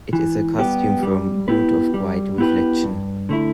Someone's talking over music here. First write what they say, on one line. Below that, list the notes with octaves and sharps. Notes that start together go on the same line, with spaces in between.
It is a costume for a mood of quiet reflection.
E3
G3 B3 G4
G3
B3 E4 G4 B4
G3
B3 E4 G4 B4
G2
D3 A3 E4